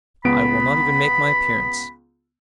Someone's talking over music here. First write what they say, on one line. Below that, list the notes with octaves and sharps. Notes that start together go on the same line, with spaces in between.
"I will not even make my appearance."
C#2 B3 B5 D7